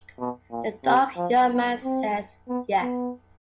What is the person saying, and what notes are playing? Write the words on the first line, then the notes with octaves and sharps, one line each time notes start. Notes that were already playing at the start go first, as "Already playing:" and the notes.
The dark young man says 'yes'.
B2
A#2
C3
F3
B3
C4
B3
B3